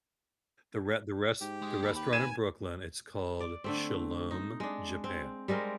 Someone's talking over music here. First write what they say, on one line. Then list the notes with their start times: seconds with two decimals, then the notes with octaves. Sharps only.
The the re the res the restaurant in Brooklyn, it's called Shalom Japan.
1.41 G#2 G4
1.62 G#3
1.83 D#2 A4 B4
1.96 G4 B4
2.13 G#5 G#6 D#7 E7
3.40 D5
3.64 D3 A3 C4
4.31 D#4
4.60 G#3 D4
5.04 C4
5.48 G3 G#3 C4 A#4